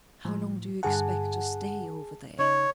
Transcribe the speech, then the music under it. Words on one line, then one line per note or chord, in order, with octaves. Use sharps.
"How long do you expect to stay over there?"
A2 F3
G2 D3 G#4 F#5 G#5 A5
C#3 D#4 C#5